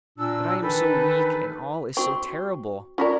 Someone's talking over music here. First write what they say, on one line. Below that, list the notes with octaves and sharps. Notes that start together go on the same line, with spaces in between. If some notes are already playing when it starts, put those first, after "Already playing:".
But I am so weak, and all is so terrible.
A#2 D4 E6
D#3 E3 D4 D#4 A4 B4
C4 F#4 C#6
C#4 F4 F#4 A#4 D5